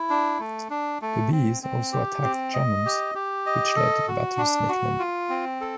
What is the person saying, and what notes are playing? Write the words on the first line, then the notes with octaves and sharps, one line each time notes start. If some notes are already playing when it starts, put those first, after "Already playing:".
The bees also attacked Germans, which led to the battle’s nickname.
Already playing: E4
D4
A3
D4
A3
C4
C4
G4
C4
D#5
G4
G4
D#5
A4
F#4
D4
F#4
F4
C4
A4